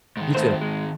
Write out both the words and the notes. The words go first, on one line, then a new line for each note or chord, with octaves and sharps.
You too.
G#2 D#3
A3 C5
G#3